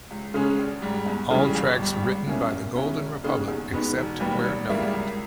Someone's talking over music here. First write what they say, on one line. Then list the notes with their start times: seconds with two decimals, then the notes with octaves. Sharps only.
All tracks written by The Golden Republic, except where noted.
0.11 C#2
0.34 C#3 G#3 C#4
0.59 G#1
0.82 G#2 G3
1.06 E2
1.31 C#3 E3 G3
1.55 G1
1.79 G2 G3
2.03 C#2
2.27 B2 A#3 C#4 E4
2.51 E2
2.75 B2 G#3 C#4 E4
3.00 E1
3.24 D#2 C#3 G#3 D#4
3.48 E2
3.72 B2 G#3 B3 D#4
3.96 E1
4.20 D#2 D#3 G3 B3
4.44 G#1
4.69 G#2 G3 A#3 E4
4.93 C#2